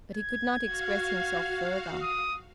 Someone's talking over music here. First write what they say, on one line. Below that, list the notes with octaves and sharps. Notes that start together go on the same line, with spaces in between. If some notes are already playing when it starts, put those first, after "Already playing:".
But he could not express himself further.
G#6
F#4 F5
D#6